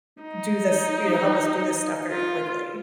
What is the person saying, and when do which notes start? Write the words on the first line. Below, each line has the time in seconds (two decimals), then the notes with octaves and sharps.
d do this you know, help us do this stuff very quickly.
0.22 D#4
2.10 F4